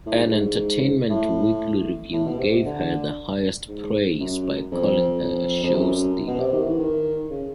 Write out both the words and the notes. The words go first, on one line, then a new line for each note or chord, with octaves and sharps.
An "Entertainment Weekly" review gave her the highest praise by calling her a show-stealer.
A2
G#2
G2
G#2
A2
A2
B2
C3
D3
G#2
F#2
F2
F2
F2
F#2
B2
C3
D#3
E3
D#3
C#3